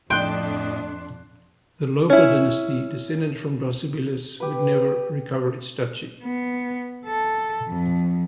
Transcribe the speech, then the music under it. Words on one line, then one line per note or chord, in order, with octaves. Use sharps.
The local dynasty, descended from Docibilis, would never recover its duchy.
F2 A2 D4 D#5 G5 C6 F#6
C#4 E4
G4 B4
B3
A4
F2